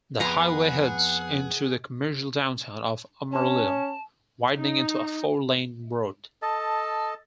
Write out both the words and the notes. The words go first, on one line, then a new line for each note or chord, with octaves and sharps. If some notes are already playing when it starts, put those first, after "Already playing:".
The highway heads into the commercial downtown of Amarillo, widening into a four-lane road.
F2 B3 G#4 B4 F#5 A#5 C6
C#4 A5
D#4
A4 D#5 A5